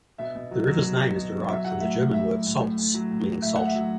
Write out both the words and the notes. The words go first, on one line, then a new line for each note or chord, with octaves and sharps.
The river's name is derived from the German word "Salz", meaning salt.
B2 E5
B2
F#3
F#3
B2
B2
B2
F#3
F#3 E5
F#3 F#5
A2 E5
A2
A2 E5
F#3
A2
A2
A2
F#3
A2
A2
A2 E5
A2 F#5
E5
F#3